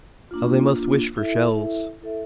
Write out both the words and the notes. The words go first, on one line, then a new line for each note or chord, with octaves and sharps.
"How they must wish for shells!"
A#3 D4 F4
E4 A4 E5
E4 A4 E5